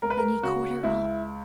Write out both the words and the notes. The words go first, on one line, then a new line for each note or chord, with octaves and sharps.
Then he caught her up.
C#2 A#4
B4
A#4
C#3 F#4
C#2 E4